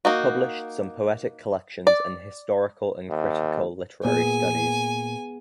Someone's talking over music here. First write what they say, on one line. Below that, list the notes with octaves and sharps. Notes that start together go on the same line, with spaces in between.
Published some poetic collections and historical and critical literary studies.
A#3 D#4 F#4
D5
D#2
A#2 B3 G#4 G#5